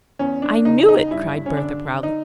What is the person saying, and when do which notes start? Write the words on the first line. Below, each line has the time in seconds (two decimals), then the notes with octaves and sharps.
"I knew it!" cried Bertha, proudly.
0.19 E2 C#4
0.42 D4
0.65 C#3 D#4
0.88 D#4
1.11 G2 E4
1.46 C#4
1.57 D3 D4
2.03 D#4